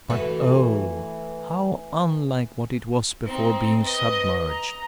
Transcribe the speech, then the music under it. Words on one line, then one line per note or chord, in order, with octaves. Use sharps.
But, oh! how unlike what it was before being submerged!
E3 A3 F#4
C4 D#4
B4 D#5
A#5